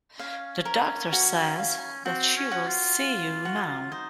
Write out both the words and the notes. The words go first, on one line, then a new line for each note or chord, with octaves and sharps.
The doctor says that she will see you now.
C#4 F5
A#4
F#4
F5
C4 F#4
C#4
F#4
F4
F5
F#4
D#4 C5